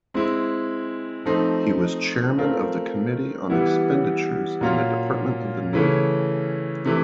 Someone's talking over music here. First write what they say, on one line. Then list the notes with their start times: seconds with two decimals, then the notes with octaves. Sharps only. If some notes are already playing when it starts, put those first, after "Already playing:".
He was chairman of the Committee on Expenditures in the Department of the Navy.
0.14 G#3 C4 E4
1.26 F3 A3 C4 D#4
2.38 A3 C4 F4 A#4
3.50 E3 G3 B3 E4
4.61 A#2 F#3 A#3 C#4 F4
5.73 C#3 E3 A3 C#4
6.85 C3 E3 A3